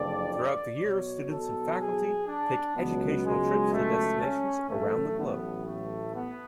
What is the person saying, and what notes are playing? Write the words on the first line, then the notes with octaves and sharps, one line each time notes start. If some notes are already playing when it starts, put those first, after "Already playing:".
Throughout the year students and faculty take educational trips to destinations around the globe.
Already playing: F#1 F2 D3 D5
D5
B1 B2 F#3 C#5
A4
G#4
D4
C#2 B2 F#3 B3
G#3
A3
C#4
A1 A2 F#3 A3
B3
A3
B3